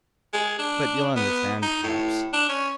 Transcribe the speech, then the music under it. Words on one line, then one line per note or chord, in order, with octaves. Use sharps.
But ye'll understand, perhaps.
G#3
D4
B3
D#4
A2
D4
C#4